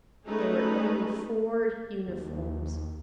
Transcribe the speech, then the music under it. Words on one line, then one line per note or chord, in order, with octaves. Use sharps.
There were only four uniforms.
A3 C#4 D#4 G#4 A4 B4
D#2